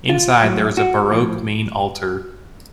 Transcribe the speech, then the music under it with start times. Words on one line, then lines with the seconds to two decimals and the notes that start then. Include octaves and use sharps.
Inside there is a Baroque main altar.
0.09 F4
0.43 A2 F#3
0.77 F#4
1.11 A2 F3